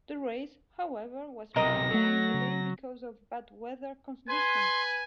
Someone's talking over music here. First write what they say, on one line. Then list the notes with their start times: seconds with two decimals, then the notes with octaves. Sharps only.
The race, however, was postponed a day because of bad weather conditions.
1.56 B1 C3 A#4 D#5 A#6
1.91 F#3 A3 A4
2.34 C#3
4.29 B4 G#5 C6